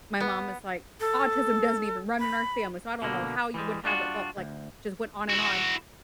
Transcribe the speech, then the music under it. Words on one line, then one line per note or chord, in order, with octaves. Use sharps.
my mom is like, "Autism doesn't even run in our family, so I don't know how you would have it," but like, just went on and on,
B3
A4
B5
B2 D3 A#3
E3 F3 G3 G#3
G3 D4 F4 F#4
D2
E4 F#4